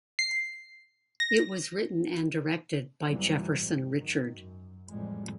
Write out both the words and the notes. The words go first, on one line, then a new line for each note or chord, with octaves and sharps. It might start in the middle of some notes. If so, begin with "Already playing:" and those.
It was written and directed by Jefferson Richard.
C7
A#6
F#2 C3 E3 F#3 G3 A#3
G#2
D#3 F#3
F#2
A1 F2 A2 G3 G#3